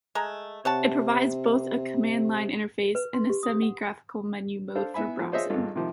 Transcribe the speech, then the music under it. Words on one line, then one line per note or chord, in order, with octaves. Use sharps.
It provides both a command-line interface and a semi-graphical menu mode for browsing.
G#3 A3 A#5
C3 C#5 F#5 A5
B4
C6
G4
D#6
F#5
D4 A4 C5 F5
B3 E4 E5 G#5 B5
F3
F4 G#4 C5 C#5 D#5 E5
G#1 G2 F4 A4
C3 D#3 F3